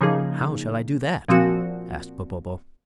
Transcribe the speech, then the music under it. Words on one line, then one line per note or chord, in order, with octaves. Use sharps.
"How shall I do that?" asked Popopo.
C#3 F3 A#3 D#4 G#4
A#2 F3 C4 F#4